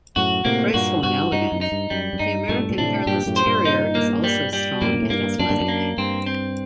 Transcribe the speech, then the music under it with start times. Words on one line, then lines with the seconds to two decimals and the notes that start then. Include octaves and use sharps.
Graceful and elegant, the American Hairless Terrier is also strong and athletic.
0.16 F#2 A2 F#4
0.45 A2 C3 A#3
0.74 G2 A#2 F#4
1.03 G2 F#4
1.32 G2 D#4
1.52 F#2
1.61 D#4
1.72 G2
1.90 F#2 G3
2.13 F#2
2.19 G2 D#4
2.49 G2 A#2 A3
2.70 A#2
2.78 A2 C3 D4
3.06 G2 A#2 G4
3.26 F#2 A2
3.36 C5
3.46 G2 A#2
3.65 D#4
3.95 A#3
4.24 G3
4.53 G3
4.82 F#2 A2 A#3
4.94 A#2
5.02 A2
5.10 G2 A#3
5.39 F#2 D4
5.50 G2
5.61 F#2
5.68 A#3
5.98 G2 C4
6.26 C4